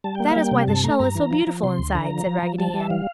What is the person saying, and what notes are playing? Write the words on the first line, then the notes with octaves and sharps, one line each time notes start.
"That is why the shell is so beautiful inside!" said Raggedy Ann.
G3 A5
A#3 G5
F5
G3 G5
C3
G2 A5
A3 A#5
G2 A#5
E3
F3
F3
C3 C6
D2
D3 A#5
F3
F3
F3
G3 A5
G3
E5
E3 F5